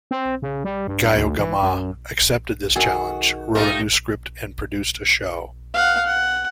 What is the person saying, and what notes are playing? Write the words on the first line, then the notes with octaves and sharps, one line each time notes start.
Geiogamah accepted this challenge, wrote a new script and produced a show.
C4
C#3
G3
G2
D2
E3
F#2
D#3 F#4 G#4 A4
A3 D#4 F4 G4 A#4 E5 F5
F5 F#5
F#5